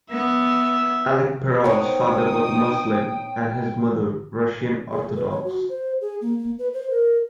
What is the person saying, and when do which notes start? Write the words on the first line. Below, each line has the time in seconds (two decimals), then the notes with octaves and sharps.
Alekperov's father was a Muslim and his mother, Russian Orthodox.
0.11 B3 E5
1.64 B3 C4 D#4 A#4 C#5 G5 D#6
4.92 G#4
5.15 B4
5.31 C#5
5.44 F#4
5.69 C5
6.01 G#4
6.21 A#3
6.39 A#3
6.59 B4
6.73 C5
6.90 A#4